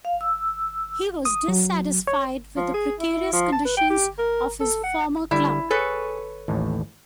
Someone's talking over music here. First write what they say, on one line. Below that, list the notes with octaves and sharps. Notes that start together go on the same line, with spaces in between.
He was dissatisfied with the precarious conditions of his former club.
F5
E6
D#6
F#3
C#5
F3
G#4
E4
F3
A5
B4
G5
G4
A#4
A4
F#5
D3 G3 E4
G#4 A4 B4 C#5
A1 D#2 A2